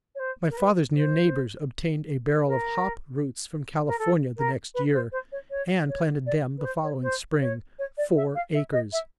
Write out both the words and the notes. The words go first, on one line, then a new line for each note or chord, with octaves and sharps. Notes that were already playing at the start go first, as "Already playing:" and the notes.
My father's near neighbors obtained a barrel of hop roots from California the next year, and planted them the following spring--four acres.
C#5
C5
A#4
B4
C5
A#4
A#4
A4
A#4
B4
C5
C5
C#5
C#5
C#5
D5
B4
C5
C#5
C5
C#5
C#5
D5
E5
F5
E5
D#5
E5